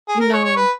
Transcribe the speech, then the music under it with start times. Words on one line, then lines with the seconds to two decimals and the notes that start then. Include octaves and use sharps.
You know
0.09 G#4
0.20 A#4
0.33 C#5
0.44 C#5
0.56 B4